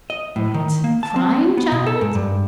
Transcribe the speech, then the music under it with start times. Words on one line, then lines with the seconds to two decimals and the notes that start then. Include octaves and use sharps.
What! crying, child?
0.10 D#5
0.36 A2
0.54 D#3
0.84 A#3
1.03 A5
1.16 C4
1.57 B3
1.72 B2
1.87 A4
2.01 G#2
2.15 G2